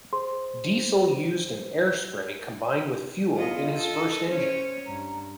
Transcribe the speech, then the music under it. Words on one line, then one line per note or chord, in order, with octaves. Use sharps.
Diesel used an air spray combined with fuel in his first engine.
G#4 C5 C6
D#3 B3 F4 D#5
A4 D#5
C#4 C5 C#5
G2 A#5